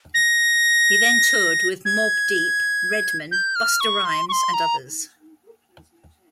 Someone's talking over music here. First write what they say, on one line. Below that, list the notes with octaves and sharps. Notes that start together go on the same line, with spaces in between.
He then toured with Mobb Deep, Redman, Busta Rhymes, and others.
A#6
G#6
G6
F6
C#6
C6
C#6
C6
A#5